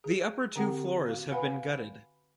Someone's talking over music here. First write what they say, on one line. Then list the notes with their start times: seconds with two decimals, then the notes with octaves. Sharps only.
The upper two floors have been gutted.
0.04 G#4
0.56 D3 C4 G4 F#5
1.05 F#4 F5
1.31 B4 F5 F#5 G#5 B5